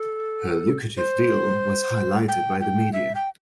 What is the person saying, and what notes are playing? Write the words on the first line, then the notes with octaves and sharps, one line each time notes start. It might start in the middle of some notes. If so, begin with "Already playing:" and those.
Her lucrative deal was highlighted by the media.
Already playing: A4
C5
G5
G5
E5
G5